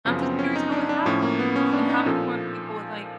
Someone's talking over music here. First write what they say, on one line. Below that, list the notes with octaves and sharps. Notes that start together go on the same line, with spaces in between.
I'm just curious what would happen, and how many more people would, like,
F#2 C#3 F3 B3
C4
C#4
D#4
D4
D4
A2 F3 C#4
A#3
B3
C#4
D4
D#4
A#2 F3 A4